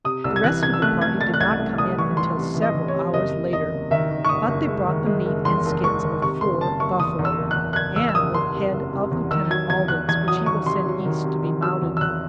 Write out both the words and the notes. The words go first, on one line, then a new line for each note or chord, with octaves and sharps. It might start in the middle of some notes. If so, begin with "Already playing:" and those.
The rest of the party did not come in until several hours later; but they brought the meat and skins of four buffalo, and the head of Lieutenant Alden's, which he will send East to be mounted.
C3 D#6
C2 E6
G#6
E3 F#6
C3 G#6
E6
A3 F#6
A3 G#6
A3 A6
F#6
C2 G#6
A3
C2 D#6
E3 C#6
E3 C6
C3
E3
D#5
E3
C#5
C3
F#1 D#5
F#1
E2 D#5
F#1
D#3 E5
D#3
C#6
F#1 D#6
F#1
G#3
D#3
G#3
F#1
E2 C6
F#1
G#3 C#6
D#3
C3 C#6
F#1 C6
F#1 A5
F#1 C#6
E2 D#6
E2
E6
F#1
F#6
E2
F#6
F#1 G#6
E2 E6
E6
F#1 D#6
F#1 C6
C3
F#1
C3
E2
D#3 E6
F#3 G#6
E2 G#6
E2 F#6
E2 G#6
F#3 D#6
D#3 C#6
C3 C6
F#3
D#3
C3
D#3
F#3 E6
E2
E6
E2 F#6